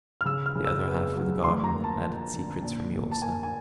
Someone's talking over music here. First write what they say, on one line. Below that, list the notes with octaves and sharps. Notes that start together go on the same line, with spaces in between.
The other half of the garden had its secrets for me also.
F6
C#3 E6
F6
C#3
E6
B3
F#3
D2 C6
A#5
A#3
A5
F3
D3
A#2
A#2
A5
A#3 G#5
G#5